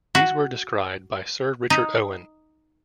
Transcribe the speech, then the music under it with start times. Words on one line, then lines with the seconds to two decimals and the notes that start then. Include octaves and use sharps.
These were described by Sir Richard Owen.
0.15 F#4
1.70 D#4